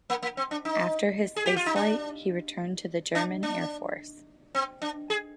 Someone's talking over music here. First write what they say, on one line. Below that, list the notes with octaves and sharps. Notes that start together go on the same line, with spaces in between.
After his spaceflight, he returned to the German Air Force.
A#3
A#3
C4
D4
D#4
G#4
G4
F4
D#4
D4
D4
D4
C4
D4
G#4